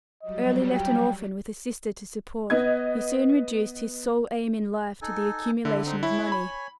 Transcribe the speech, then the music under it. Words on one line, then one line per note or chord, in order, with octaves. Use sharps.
Early left an orphan with a sister to support, he soon reduced his sole aim in life to the accumulation of money.
F#3 G3 D#5
G5
B3 D#5 G#6
D#4 A4 G#5
D3 E4
C4 D#4
E4 C#5 G#5
B5